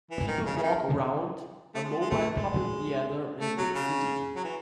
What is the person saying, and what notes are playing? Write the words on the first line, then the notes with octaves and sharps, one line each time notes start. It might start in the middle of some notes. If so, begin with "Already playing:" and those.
People walk around a mobile puppet theater in a big city.
E3
D#3
C#3
C#3
D#3
A3
G#3
G#3
A3
G#3
A3
F#3
C#3
F#3
E3